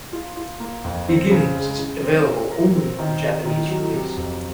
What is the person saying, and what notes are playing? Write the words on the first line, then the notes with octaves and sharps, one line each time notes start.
"Beginnings" is available only on the Japanese release.
F4
F4
A#3
F2
C4
C#3
G#3
C#3
C4
C3
A#4
C4
D#3
C3
D#3
F#3
C3
F2